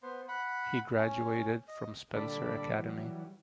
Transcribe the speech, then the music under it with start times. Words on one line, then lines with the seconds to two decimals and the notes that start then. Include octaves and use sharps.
He graduated from Spencer Academy.
0.03 B3 C5
0.28 F#5 B5
0.96 C#4
1.68 D#5
2.14 A#2 D3 G3 A4 D5 B5
2.74 E3 F#3 G3